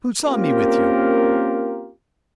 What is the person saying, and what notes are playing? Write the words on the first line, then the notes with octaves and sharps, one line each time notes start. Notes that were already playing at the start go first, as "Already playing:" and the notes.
Who saw me with you?
A#3 C4 C#4 F4 G4 A#4